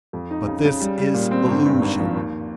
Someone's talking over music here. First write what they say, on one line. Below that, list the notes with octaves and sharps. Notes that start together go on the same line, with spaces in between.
But this is illusion.
F2
D#4
C#3
C#3
G3
G3
A#2
C4
G#1
G2
G#1
F3
D#2